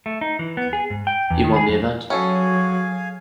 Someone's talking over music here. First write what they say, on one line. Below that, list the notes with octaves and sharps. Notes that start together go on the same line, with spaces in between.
He won the event.
A3
D#4
E3
B3
G#4
G#2
G5
E2
D#3
G#4
F2
F#3 C#4 F#4 G#4 A4 F5 G#5